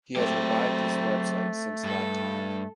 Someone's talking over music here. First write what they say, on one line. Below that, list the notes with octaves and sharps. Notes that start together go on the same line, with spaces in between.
He has revived his website since that time.
F#3 A3 C4 G4
G2 A4